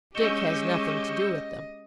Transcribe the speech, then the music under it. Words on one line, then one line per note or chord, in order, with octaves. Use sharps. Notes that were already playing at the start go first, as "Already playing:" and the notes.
Dick has nothing to do with them.
G#3 C#4 G4 D#5 C#6 E6 G6